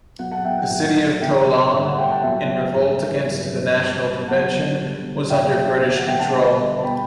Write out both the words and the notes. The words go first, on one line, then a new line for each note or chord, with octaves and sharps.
The city of Toulon, in revolt against the National Convention, was under British control.
B2 F#3 F#5
F#5 A5
E5 G5
F#5
A2 F#3 F#5
E2 D3 F#3 E5 G5
A2 G3 E5
F#5
E5 G5
F#5 A5
B2 F#3 E5 G5
A2 E3 G3
G2 F#3
G2 E3 G3
B2 F#3 F#5 A5
E2 D3 G3
A2 F#3 E5 G5
E2 D3 F#3 E5
F#5
E5 G5
F#5 A5
E2 D3 G3
A5
B2 G3 G5 B5